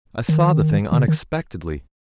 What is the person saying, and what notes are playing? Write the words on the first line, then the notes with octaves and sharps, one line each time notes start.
I saw the thing unexpectedly.
D#3
D#3
C#3
D#3